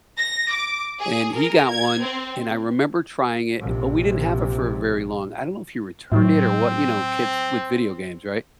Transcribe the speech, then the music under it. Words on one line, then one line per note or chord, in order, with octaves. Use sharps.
and he got one, and I remember trying it, but we didn't have it for very long. I don't know if he returned it or what, you know, kids with video games, right?
A#6
D6
G#4
A#4
G#6
C4
A#1 C3
A2 F#3 C4